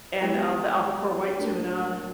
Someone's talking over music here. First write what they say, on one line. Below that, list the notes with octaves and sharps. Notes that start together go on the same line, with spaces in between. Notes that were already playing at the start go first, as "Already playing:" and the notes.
and, um, the Albacore white tuna,
G#3 B3 E4 G4
A2 F#3 A#3 D4